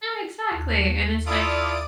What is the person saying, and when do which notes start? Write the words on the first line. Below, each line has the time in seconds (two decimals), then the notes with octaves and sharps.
Ah, exactly, and it's like
0.52 D#2 A5
1.27 A#3 E4 F4 A4 D5 D#6 D7